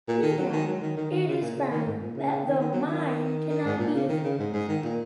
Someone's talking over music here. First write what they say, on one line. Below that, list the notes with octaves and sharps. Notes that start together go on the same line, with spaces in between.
Meanwhile, it is found that the mine cannot be defused.
A#2
D#3
F#3
D#3
F#3
D#3
D#3
D#3
C#3
A#2
C#3
D#3
G#2
A#2
C#3
C#3
D#3
D#3
F#3
D#3
D#3
G#2
A#2
C#3
D#3
C#3
G#2
G#2
D#3
A#2